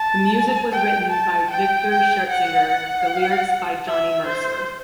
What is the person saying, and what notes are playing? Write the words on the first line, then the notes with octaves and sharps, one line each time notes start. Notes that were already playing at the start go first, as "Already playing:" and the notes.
The music was written by Victor Schertzinger, the lyrics by Johnny Mercer.
Already playing: A5
G5
A5
G5
G5
F#5
F#5
E5
C5